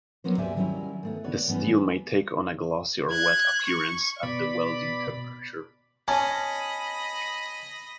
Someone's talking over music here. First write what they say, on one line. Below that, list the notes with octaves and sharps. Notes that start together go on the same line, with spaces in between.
The steel may take on a glossy or wet appearance at the welding temperature.
F#3 A#3 B3 C#4 C5
D2 G4 C5 D5 E5 G#5
D#3 F#3 G3 C4 C#4 E4
D#3 A3 B3
B3 B4 C#5 D5
E3 G3 B3 C#4 D#4
F#6 G#6
C#6
B2 D5 B5
C#4 D#5 A5 B5